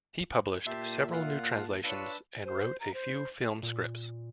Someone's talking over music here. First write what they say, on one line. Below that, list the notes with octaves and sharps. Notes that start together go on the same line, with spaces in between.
He published several new translations and wrote a few film scripts.
A#2 G4 E5 A5 C6
F4 F5 F#5
A5
D4 F4 B4 C#5 E6
C5
A#5
C5
A#2